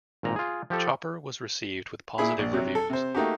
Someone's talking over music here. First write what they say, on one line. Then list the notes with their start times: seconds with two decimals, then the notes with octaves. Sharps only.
"Chopper" was received with positive reviews.
0.23 G#1 A#2 A#5
0.36 F4 G#4
0.70 F3 G4 A4
2.18 A#2 E4 G#4 B5
2.39 A#1
2.53 C3 F#3
2.75 A4
2.90 C3 C5
3.15 A3 A#3 D#4 F#4 G4